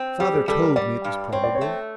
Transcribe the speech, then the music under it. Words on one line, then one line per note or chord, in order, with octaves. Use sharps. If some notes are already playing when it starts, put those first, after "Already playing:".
'Father told me it was probable.'
Already playing: C4
G3 G4
G#4
G3 A4
A#4
G3 D5
G2
C4 C#5
D5
C#5
A3